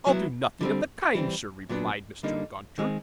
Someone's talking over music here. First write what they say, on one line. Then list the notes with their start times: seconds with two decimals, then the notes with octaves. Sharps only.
'I'll do nothing of the kind, Sir,' replied Mr. Gunter.
0.07 F#3 B3 E4
0.61 D3 G3 C4
1.15 E3 G3 C4
1.69 A#2 F#3 B3 D4
2.23 D3 G3 A#3 D#4
2.78 D#3 G#3 C4